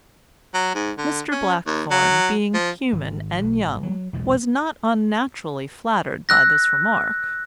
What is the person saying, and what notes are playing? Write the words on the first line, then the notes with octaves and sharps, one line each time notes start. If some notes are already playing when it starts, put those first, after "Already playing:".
Mr. Blackthorne, being human and young, was not unnaturally flattered by this remark.
F#3
G#2
D3
C#4
D#2
F#3
F3
G#1
B1
G#1
F#3
B1 E2 A#2 G#3
E6 F#6 A#6